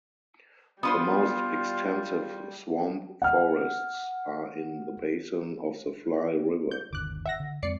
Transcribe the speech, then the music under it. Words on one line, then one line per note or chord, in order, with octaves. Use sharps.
The most extensive swamp forests are in the basin of the Fly River.
G3 B3 D4 F4 B4 C5 C6 D#6
F#5 F6
G6
G1 D#2 D3 D6 F#6
E5 F#5 A#6
D3
F2 G#3 C4 D5 C7 C#7